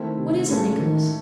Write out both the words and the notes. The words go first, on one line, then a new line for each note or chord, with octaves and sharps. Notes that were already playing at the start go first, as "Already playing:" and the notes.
"What is it, Nicholas?"
Already playing: D#3 A3 C4 E4
C3
A2 C#3 G#3 C#4 F#4 A4
D#3